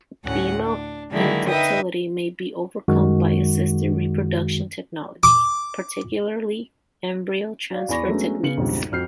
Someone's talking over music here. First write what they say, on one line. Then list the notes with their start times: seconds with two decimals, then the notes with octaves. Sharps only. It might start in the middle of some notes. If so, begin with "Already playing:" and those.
Female infertility may be overcome by assisted reproduction technology, particularly embryo transfer techniques.
0.24 D2 A2 C#4 F#5
0.62 D4
1.11 D3 D#3 F#3 G#3 A#3 E4
1.48 D#4 B4 E5 G5 D#6
2.88 F#2 D#3 G#3 F#4
5.23 D6
7.70 F#4 D5 F5
7.89 E2 D5 G#5 B5 C#6 A#6
8.08 F#3 G#3 A3 B3 C#4 D4
8.43 C#3 B3 C#7 F#7
8.57 B1 F2 G#2 D3 G3
8.92 F2 F#4 F6 G6 C7